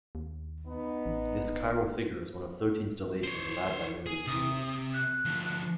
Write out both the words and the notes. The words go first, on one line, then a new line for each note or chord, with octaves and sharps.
This chiral figure is one of thirteen stellations allowed by Miller's rules.
D#2
B3 D#4
A1
C5 C#5
G#4
C3 D#6
F#6
D2 F3